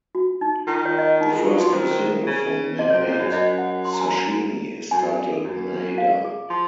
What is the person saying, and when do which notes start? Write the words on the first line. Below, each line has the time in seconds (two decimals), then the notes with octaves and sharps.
The first new single from "Mermaid Sashimi" is titled "Nada".
0.15 F#4
0.41 D#4
0.67 D#3 F4
0.85 C#5
0.99 D#5
1.03 C#5
1.21 D#4
1.33 G#3
1.38 F4
1.46 F#3
1.57 F3 F#4
1.73 D#3 C5
1.82 A#4
1.91 C5
2.27 C#3
2.79 C3 D#5
2.90 C3 C#5
3.01 A#2 C5
3.12 C#5
3.19 F#2
3.26 C#5
3.32 F#2 D#5
3.58 F#5
3.85 C6
3.93 A#5
4.01 G#5
4.08 A#5
4.91 F#2 G#5
5.44 F#2
5.98 F5
6.24 G#4
6.50 F3